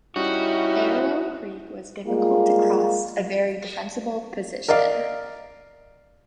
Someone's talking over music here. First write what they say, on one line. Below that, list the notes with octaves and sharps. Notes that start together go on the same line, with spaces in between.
Arrow Creek was difficult to cross - a very defensible position.
G3 C#4 D#4 E4 F#4
G3 G#3 A#3 F4 G#4
A#4 D5 D#5 F5